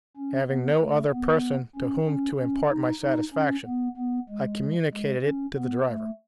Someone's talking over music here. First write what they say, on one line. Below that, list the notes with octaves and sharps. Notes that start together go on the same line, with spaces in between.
Having no other person to whom to impart my satisfaction, I communicated it to the driver.
C#4
B3
A3
B3
C#4
C#4
C#4
D#4
D#4
C#4
B3
B3
G#3
G#3
C#4
B3
A3